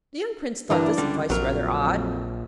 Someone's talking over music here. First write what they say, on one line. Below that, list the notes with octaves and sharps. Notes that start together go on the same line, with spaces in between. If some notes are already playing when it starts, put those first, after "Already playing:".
The young prince thought this advice rather odd.
D2 G2 E3 D4 A#4
C#2 D3 G3
A#1 F2 F#3 A#4
F2